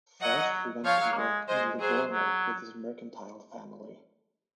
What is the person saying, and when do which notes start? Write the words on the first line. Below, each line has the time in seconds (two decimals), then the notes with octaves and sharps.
First he went to work in Livorno with his mercantile family.
0.22 F#3 D#5 F#5
0.84 F3 C#5 F5
1.01 F#3
1.12 A#3
1.17 G#3
1.48 G#3 C5 D#5
1.79 F#3 G#4 C5
2.11 F#3